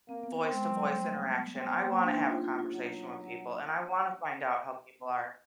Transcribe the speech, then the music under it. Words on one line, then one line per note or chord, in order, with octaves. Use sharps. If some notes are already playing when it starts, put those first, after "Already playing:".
voice to voice interaction. I wanna have a conversation with people and I wanna find out how people are.
A#3 C4
B3
C4
G#3
F#3
G3
A3
B3
B3 C4
A#3
D4
D#4
F4
F4
F4
F#3